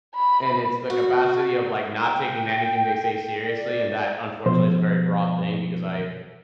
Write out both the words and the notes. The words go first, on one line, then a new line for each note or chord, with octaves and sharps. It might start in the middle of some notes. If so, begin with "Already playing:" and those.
And it's the capacity of, like, not taking anything they say seriously, and that unfortunately is a very broad thing because I
B5
F#4
G5
D5
B2 F3 C5